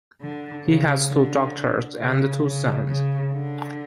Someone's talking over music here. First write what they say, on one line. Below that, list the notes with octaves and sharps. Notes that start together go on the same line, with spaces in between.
He has two daughters and two sons.
D3
C#3
D3
C#3
C#3
C#3
D3